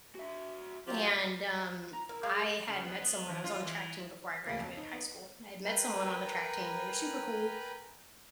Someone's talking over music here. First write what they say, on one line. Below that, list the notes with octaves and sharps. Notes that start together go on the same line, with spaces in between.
and, um, I had met someone I was on the track team before I graduated high school. I had met someone on the track team, they were super cool,
F#4 E5
F#3 F4 G4
A#5
E4 A#4
G#3 G#4 F5
C#3
B3
B3
E3
F4
E3
D2 C#3 A#3
F2
D#4
B3
A#4 B4 G5 G#5 A#5 B5